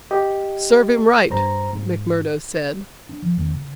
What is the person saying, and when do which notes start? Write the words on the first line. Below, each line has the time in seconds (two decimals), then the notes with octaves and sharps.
"Serve him right," Macmurdo said.
0.11 G4 D#5
1.30 G2 C5 A#5
1.73 G#2
3.09 D4
3.22 F3
3.37 E2 D#3 A3 C#4
3.54 C#3